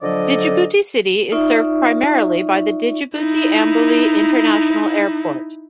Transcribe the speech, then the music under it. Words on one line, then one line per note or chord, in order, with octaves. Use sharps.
Djibouti City is served primarily by the Djibouti-Ambouli International Airport.
D3 F3 F#3 A4 D5 D#5
D#4 F4 D5 E5 C#6
D#4 E4